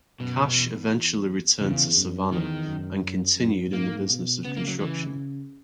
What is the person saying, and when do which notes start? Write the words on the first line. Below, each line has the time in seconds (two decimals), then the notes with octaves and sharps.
Cash eventually returned to Savannah and continued in the business of construction.
0.19 F#2 B2
0.55 E2
1.61 E2 C#3
1.97 F#2
2.32 E2 D#3
2.67 F#2
3.38 F#2
3.73 G#2 A#3
4.10 B2
4.45 C#3 B3
4.56 A#3
4.68 F#3
4.80 C#3 E3